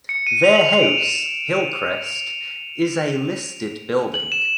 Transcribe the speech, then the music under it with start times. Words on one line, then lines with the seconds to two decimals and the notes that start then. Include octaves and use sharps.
Their house, Hillcrest, is a listed building.
0.09 C#7
0.27 D#7
0.44 F7
0.56 F#7
0.69 F7
0.82 D7
0.89 D#7
0.98 E7
2.03 F7
4.14 F#7
4.32 E7